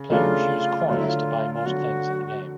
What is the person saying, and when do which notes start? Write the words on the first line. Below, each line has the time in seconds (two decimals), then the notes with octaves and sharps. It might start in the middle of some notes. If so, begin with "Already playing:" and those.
Players use "Coins" to buy most things in the game.
Already playing: C#3
0.10 C#3 F#3 A3 D4 F4
0.88 D3 F#3 A3 F4
0.99 E4
1.08 F4
1.54 F4
1.66 D3 F#3 A3 F#4